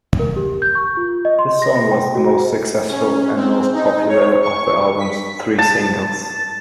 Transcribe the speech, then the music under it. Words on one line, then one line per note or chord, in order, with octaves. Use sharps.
This song was the most successful and most popular of the album's three singles.
A#4
G4
G6
C#6
F4
D#5
C6
A#6
A#6
G5
F#4
C#4
C4
D#4
C#5
C#6
B6
A5